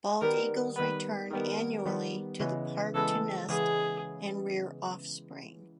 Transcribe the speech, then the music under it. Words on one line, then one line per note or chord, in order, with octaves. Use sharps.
Bald eagles return annually to the park to nest and rear offspring.
D#3 G3 B3 A#4
D#3 G3 B3 B4
D#3 G3 B3 A#4
D#3 G3 B3
C#3 E3 G#3 B3
C#3 E3 G#3 B3 A4
C#3 E3 G#3 B3 G#4